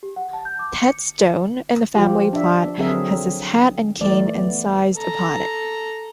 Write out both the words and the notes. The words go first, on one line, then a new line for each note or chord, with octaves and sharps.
Ted's stone, in the family plot, has his hat and cane incised upon it.
G4
F#5
A5
G6
D6
C#7
F3 F4 G4
D4 E5
D3 F#3 C4 G#4 A#4 E5
E3 A3 D5
B3
A4 A#5